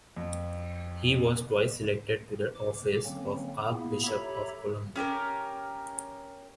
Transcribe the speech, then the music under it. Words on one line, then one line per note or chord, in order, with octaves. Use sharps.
He was twice elected to the office of Archbishop of Colombo.
F2
D6
D3 F#3 A#3 C4 C#4
A#2 A#3 B3 E4 G#4
G4 A4 C#5 E5 A#5 B5
C#4 G4 A4 A#4